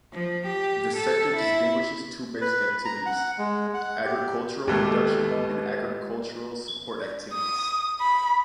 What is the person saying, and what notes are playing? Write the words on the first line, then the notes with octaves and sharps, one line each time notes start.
The sector distinguishes two basic activities: agricultural production and agricultural support activities.
F3
G4
A4
E4
B4
A#5
F#5
G#3
F#5
G4
D#2 B2 G#3 A3 G4 A4
B3 D#5
D#6
B5